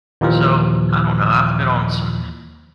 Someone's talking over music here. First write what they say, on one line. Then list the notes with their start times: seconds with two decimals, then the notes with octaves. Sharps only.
so, I don't know, I've been on some
0.21 D#2 A#2 E3 F3